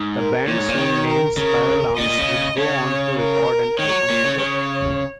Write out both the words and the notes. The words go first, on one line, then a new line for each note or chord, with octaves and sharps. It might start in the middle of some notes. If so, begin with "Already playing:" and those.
The band, soon named Spiralarms, would go on to record an album together.
Already playing: G#2
A#4
A#2 C#5
G#2
A#2
D#3
A#4
C#3 A#4
A#2 D#5
A#2
C#3
C#3 C#5
A#4
D#3 C#5
F#3
A#2
C#3
C#3 C#5